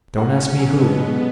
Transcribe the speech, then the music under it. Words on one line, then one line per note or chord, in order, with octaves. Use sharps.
Don't ask me who.
C#4 F#4
F#4
F#3 B3
B2
G#3 B3